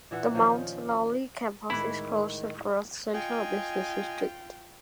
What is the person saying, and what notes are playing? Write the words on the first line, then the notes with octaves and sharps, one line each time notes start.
The Mount Lawley Campus is close to Perth's central business district.
A#2 E3 E5 F#5
D#3 F3 C#4
A2 D#3 E3 G#3 E4 B5
F4 D#5 G5 G#5